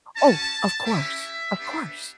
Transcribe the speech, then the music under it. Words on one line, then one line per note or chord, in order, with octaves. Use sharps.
Oh, of course, of course.
C#4 F#4 A5
C#4 E4 G4 E5
B3 D4 G4